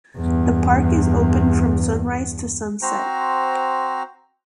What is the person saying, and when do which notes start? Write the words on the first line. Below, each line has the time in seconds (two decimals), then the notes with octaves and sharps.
The park is open from sunrise to sunset.
0.17 E2 G2
2.82 C4 F#4 C5 A#5